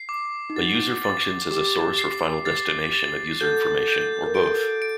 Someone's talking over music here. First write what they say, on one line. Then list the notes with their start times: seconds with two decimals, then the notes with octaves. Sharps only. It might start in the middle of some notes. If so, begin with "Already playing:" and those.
A user functions as a source or final destination of user information, or both.
Already playing: C7
0.09 D6
0.50 D#4
0.56 F#4 A6
1.04 A6
1.51 G4 D6
1.99 C7
2.45 A6
2.93 A6
3.41 F#4 A4 G6
3.88 G6
4.26 A#4
4.35 F#4 A4 D7
4.82 D7